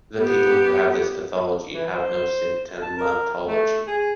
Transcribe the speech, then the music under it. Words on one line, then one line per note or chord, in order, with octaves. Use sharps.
People who have this pathology have no symptomatology.
B3 G4
E3
C5
A5
A#4
A3
G#4